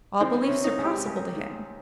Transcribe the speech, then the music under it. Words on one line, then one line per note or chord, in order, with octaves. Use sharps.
All beliefs are possible to him.
D#3 C4
C#4
C3
D#4
C#2
G4
C#2
D#3